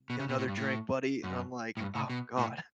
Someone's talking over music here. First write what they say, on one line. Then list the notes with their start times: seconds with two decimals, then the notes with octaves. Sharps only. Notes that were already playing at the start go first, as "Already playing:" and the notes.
"Get another drink, buddy." And I'm like, "Oh god."
0.10 B2
0.19 C#3
0.29 B2
0.38 A2
0.48 G2
0.57 A2
1.24 F#2
1.77 A2
1.81 G2
1.95 A2
2.10 B2
2.38 A2